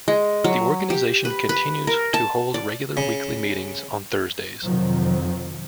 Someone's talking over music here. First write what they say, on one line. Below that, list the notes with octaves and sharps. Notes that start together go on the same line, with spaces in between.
The organization continues to hold regular weekly meetings on Thursdays.
G#3
F#3
G4
B4
B4
A#4
A5
D5
C#3
F2 C3 D#3 F3 F#3